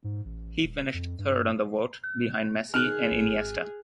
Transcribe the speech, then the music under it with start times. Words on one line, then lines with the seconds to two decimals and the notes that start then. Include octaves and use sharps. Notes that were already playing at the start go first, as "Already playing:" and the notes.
He finished third on the vote, behind Messi and Iniesta.
0.04 G#2
0.25 A1
0.64 D#1
0.94 F2
1.19 G2
2.74 D#3 G#4 F6 F#6
3.11 G#1